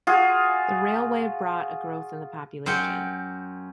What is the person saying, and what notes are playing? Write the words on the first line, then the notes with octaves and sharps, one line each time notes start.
The railway brought a growth in the population.
F4 F#4 G#4
F#2 C5 F#5 G5